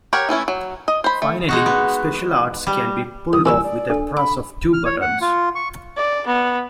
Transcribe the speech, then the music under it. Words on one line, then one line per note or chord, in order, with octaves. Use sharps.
Finally, "special arts" can be pulled off with a press of two buttons.
G4 A#4 C#5 F#5
E3 A3 C#4 E4
F#3
D#5
C5 B5
A3
G#3 D#4 F#4
B3
G3
C2 D#6
A#2 E3 G3 G#5 E6
D5
D4 A4
B5 D6
F6
C#5
F#5
F4
C#6
D5
B3